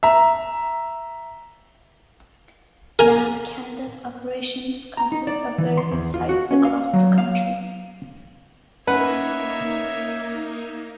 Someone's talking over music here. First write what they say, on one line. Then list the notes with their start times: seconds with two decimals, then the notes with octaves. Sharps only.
Nav Canada's operations consist of various sites across the country.
0.03 E5 A#5
2.99 A#4 G#5 A#5
4.97 A#5
5.12 D#4
5.27 D5
5.58 E3
5.77 C6
5.92 E2
6.14 F4
6.29 F#4
6.51 C#4
6.65 F5
6.93 F#3
7.18 F5
8.87 A#3 C#4 D#4 B4 C#5 E5 F#5